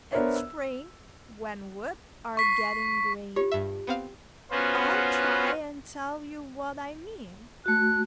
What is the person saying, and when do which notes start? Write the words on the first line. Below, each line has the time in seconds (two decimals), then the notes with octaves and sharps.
'In spring, when woods are getting green, I'll try and tell you what I mean.'
0.12 B3 D4 A#4 C5 C#5 E5
0.35 E6
2.37 C#6 B6 C7
3.36 F4 G4 C#5
3.52 G2 E5
3.87 B3 C4 F5
4.51 B3 C#4 F4 F#4 C5
7.66 A3 F#4 F#6